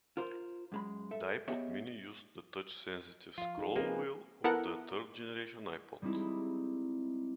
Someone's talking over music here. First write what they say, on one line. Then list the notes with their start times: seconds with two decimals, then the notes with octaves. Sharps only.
The iPod Mini used the touch-sensitive scroll wheel of the third generation iPod.
0.17 F4 A#4 C5
0.72 F#2 G#3 B5
1.11 A4 E5
1.48 B3 G4 G#4 C#5 D#5 E5
3.38 F3 F4 F5
3.58 D#4 G#4
3.76 F3 A#3 C4 G#4 B4
4.44 B3 E4 A4 A#4 F#5
6.02 G3 G#3 C4 D#4 E4